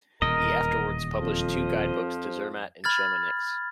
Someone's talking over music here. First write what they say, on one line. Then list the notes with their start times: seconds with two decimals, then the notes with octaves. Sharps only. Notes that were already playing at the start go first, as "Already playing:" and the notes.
He afterwards published two guide books to Zermatt and Chamonix.
0.22 D#1 E2 B2 A#4 D#5
1.20 F2 F3
2.84 B5 F6 G#6 A6